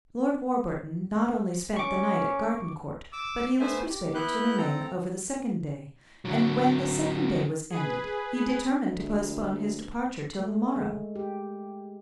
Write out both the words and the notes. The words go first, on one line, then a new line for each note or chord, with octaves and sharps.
Lord Warburton not only spent the night at Gardencourt, but he was persuaded to remain over the second day; and when the second day was ended he determined to postpone his departure till the morrow.
C#4 C#6 D6
D6 E6
A3 B3 C5 E5 G#5
G4
B3 E4 B4 F#6 G6
C4 A4 A#5
D3 F#3
G#4 B4
D2
A3
G#3
G4